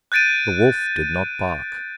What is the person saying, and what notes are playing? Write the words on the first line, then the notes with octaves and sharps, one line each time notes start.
The wolf did not bark.
F#6 G6 A6 D7 D#7